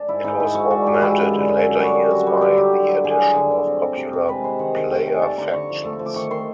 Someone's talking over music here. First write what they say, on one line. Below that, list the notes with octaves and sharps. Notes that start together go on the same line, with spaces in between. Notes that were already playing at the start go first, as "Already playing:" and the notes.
It was augmented in later years by the addition of popular player factions.
Already playing: D4
G#2 E4
G#2 D#4
G#2 E4
G#2 F#4
D4 F#4
G#2 G4
E3 E4
F#2
D3
F#2
F#2
G3 F#4
F#2
D3 F#4
G3
D3 G4
F#3
D3
F#3
D3 G#4
F#3
D3
D3
C3
C3
C3
C3
G#3 B4
G#3 C5
D#3 F#5
D#3 F#5
A3 G5
D4 G#5
A3 A5
D3 A#5
D3 C#6
F3
A3
F3
D6
D#3 C#6
D#3 C6